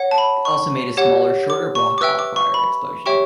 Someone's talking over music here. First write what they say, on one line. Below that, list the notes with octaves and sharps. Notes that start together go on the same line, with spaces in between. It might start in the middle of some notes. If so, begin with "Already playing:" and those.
They also made a smaller, shorter Rock-afire Explosion.
Already playing: C#5 F#5
A5
B5
C#6
G4 C#5 F#5
D6
C#6
D6
B4 E5 G5 E6
D6
C#6
B5
G4 C#5 E5 G5 C#6